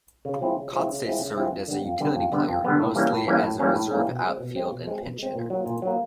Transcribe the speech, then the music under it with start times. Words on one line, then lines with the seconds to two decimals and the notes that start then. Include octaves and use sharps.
Kotsay served as a utility player, mostly as a reserve outfield and pinch hitter.
0.25 C#3
0.41 F3 G#3 C4 E4
0.57 C#3
0.72 F3 G#3 C4 E4
0.88 C#3
1.04 F3 G#3 C4 E4
1.20 C#3
1.36 F3 G#3 C4 E4
1.53 F2
1.68 D3 G3 B3
1.85 F2
2.00 D3 G3 B3
2.16 F2
2.32 D3 G3 B3
2.48 F2
2.64 D3 G3 B3
2.80 A2
2.96 E3 G3 A#3 C#4
3.12 A2
3.27 E3 G3 A#3 C#4
3.43 A2
3.60 E3 G3 A#3 C#4
3.76 A2
3.91 E3 G3 A#3 C#4
4.07 B2
4.23 G#3 C4
4.40 B2
4.56 G#3 C4
4.72 B2
4.87 G#3 C4
5.03 B2
5.19 G#3 C4
5.35 A#2
5.50 F#3 A#3
5.66 A#2
5.82 F#3 A#3